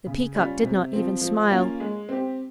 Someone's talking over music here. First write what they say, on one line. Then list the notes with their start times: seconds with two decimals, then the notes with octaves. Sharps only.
The Peacock did not even smile.
0.06 C#3
0.35 G3 C#4 F4
0.63 C3
0.93 F3 C4
1.21 F3
1.51 A#3 C#4 F4
1.80 G#3
2.09 C4 G4